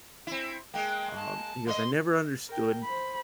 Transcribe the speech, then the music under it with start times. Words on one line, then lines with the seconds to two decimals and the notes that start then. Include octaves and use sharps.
um, he goes, "I never understood
0.27 C4 E4
0.74 G#3 A#3 G5
1.16 A5
1.67 A#3 C#5 D#5 C6
2.48 A#4 G5
2.84 C5 B5